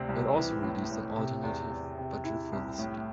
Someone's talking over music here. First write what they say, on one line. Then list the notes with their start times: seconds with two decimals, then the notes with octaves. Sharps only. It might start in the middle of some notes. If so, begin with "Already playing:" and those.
It also released an alternative budget for the city.
Already playing: D2 C3 C4 D4
0.09 C2
0.37 E3
0.63 A2
0.91 A2
1.16 C3
1.43 E2
1.70 E2
1.98 C3
2.24 E4
2.52 C2
2.79 A2